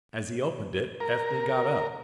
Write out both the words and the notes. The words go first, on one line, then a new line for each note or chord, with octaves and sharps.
As he opened it, Ethne got up.
A#4